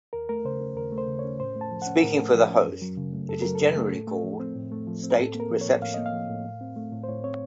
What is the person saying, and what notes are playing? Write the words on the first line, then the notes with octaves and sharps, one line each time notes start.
Speaking for the host, it is generally called a "state reception".
D#2 A#4
A3 A#4
C#3 C5
C#4
D#2 A#4
A3
C5
C#3
C#5
C#4
A2 C5
A3
A5
F3
F#5
C#4
A2 A#4
A3
F3
C#4
F#2
F#3
C#3
A3
F#2 A4
F#3 A#4
A4
C#3
A3
A2
A3
F3
C4
A2
A3
F3
C4
A#4
A2 A4
A#3
A#4
F3
C#5
A2
A2 F5
A#3 D#5
F5
F3
A2
A2
C4
A3
A2
C5
A2 C#5
C4 C#5